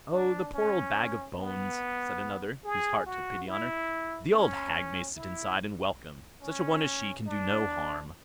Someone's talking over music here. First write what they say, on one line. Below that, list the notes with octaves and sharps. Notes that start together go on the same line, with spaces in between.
'Oh! the poor old bag-of-bones', said another, whose heart took pity on her, 'the old hag may sit inside and welcome; such a one as she can do no harm.'
D4
C#4
B3
G#4
F#4
E4
C#4
E4
C#4
D4